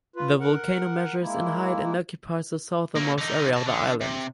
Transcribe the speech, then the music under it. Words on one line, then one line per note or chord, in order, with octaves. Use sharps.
The volcano measures in height and occupies the southernmost area of the island.
F4 B4
A#4 F#5
G#3 A#3 E4
F#3 A#3
D3 D#4
D#5 A5
D3
C3